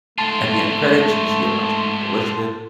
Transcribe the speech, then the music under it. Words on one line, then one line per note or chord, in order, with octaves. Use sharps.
at the end credits, you see a bunch of people listed,
G#2 A3 F4 A5 C6